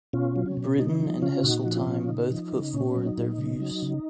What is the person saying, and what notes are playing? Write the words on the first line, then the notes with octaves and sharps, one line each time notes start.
Brittan and Heseltine both put forward their views.
B2 C#4 F4
F#3
C#4
B2
C#3 D#4
F3 D#4
C#3 C#4 F4
A#2 D#4 F#4
F3
C#4 F4
A#2
C#3 D#4
F3
C#3
A#2 C#4
F#3
D#4
A#2
C#3
F#3
C#3